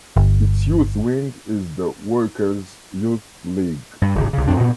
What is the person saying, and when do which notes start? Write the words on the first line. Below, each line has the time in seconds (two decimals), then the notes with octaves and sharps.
Its youth wing is the Workers' Youth League.
0.17 G1
4.02 G2
4.15 D1 G#1 C#3
4.33 C2 C#3
4.48 F2 C4 D4
4.59 G2 A#2 B3